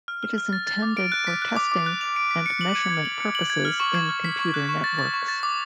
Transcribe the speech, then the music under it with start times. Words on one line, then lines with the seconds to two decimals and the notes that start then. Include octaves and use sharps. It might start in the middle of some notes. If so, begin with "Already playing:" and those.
It is intended for testing and measurement purposes in computer networks.
0.08 F6
0.23 F6
0.38 F6
0.53 A6
0.67 A6
0.82 D6
0.97 D7
1.12 F#6
1.27 B6
1.42 F#6
1.56 D6
1.72 D6
1.86 F#6
2.01 F7
2.16 D7
2.31 B6
2.46 C#7
2.61 F#7
2.76 G#6
2.90 G#6
3.05 F#7
3.20 C#7
3.35 F#7
3.50 G#6
3.65 F6
3.80 C#6
3.95 G#6
4.09 F6
4.24 B6
4.39 C#6
4.54 F#6
4.69 C#6
4.84 A6
4.99 A6
5.14 C#6
5.28 A6
5.43 D6